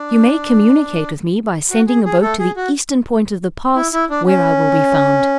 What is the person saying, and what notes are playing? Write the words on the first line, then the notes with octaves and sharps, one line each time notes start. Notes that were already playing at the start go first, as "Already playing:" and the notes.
You may communicate with me by sending a boat to the eastern point of the pass, where I will be found.
Already playing: D4
F#4
G#4
G#4
A3 A4
G#4
F#4
E4
E4
D4
C#4